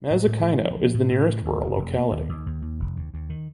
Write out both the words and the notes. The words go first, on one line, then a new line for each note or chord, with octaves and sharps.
Mazikino is the nearest rural locality.
A2
A2
A2
F3
F3
A2
A2
A2
D#2
F1
F1
A#3
D#2
D#2
D#2
D#2
F1
D#2
D#2
D#3